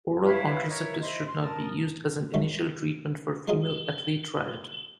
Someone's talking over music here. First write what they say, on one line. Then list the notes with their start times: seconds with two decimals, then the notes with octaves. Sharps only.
Oral contraceptives should not be used as an initial treatment for female athlete triad.
0.23 E4 B4 C#5 F5
0.68 D#4 E4 A#4 C#5
1.00 E4 C5 D#5
1.26 C6
1.39 A#4 A5 D#6
2.34 G#2 F#3 G#3 A3
3.48 F3 F#3 G#3 D#4 F4 G#4